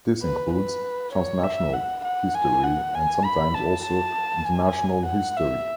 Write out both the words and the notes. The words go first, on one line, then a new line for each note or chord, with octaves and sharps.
This includes "transnational" history and sometimes also international history.
B4
B4
C#5
E5
F#5
F#5
G#5
F#5
G#5
B5
A5
A5
G#5
F#5
E5